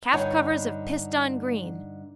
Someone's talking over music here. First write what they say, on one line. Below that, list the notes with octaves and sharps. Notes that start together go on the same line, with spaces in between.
Calf covers of pissedon green.
G2 D3 D#4 C#5 F#5 G#5